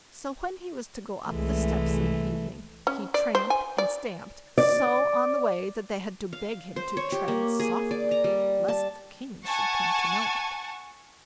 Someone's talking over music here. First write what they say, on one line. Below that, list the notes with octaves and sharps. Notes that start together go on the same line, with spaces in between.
So, when he was to go up the steps in the evening, he tramped and stamped so on the way, that they had to beg him to tread softly lest the King should come to know it.
C2 E3 G#3 A3
C#4
D5
C5
G#5
D5
D5
F5
C5
C#5
G4
A#3
G#4
D5
A#5
G3
A5
F#5 G#5 A5 C#6